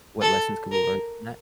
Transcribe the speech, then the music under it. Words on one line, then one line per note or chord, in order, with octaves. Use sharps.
what lessons could we learn from that?
A4
A#4